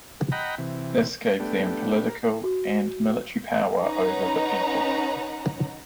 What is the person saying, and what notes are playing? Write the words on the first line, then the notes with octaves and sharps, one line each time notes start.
This gave them political and military power over the people.
D#5 F#5 G5 A#5 B5
C3 E3
A3 B3 D4 G4
A#4
F#4
C#4 D#4 B4 F#5 A#5